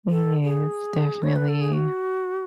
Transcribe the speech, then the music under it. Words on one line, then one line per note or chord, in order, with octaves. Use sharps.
Yes, definitely,
A4
G#4
C#5
B4
A4
G#4
F#4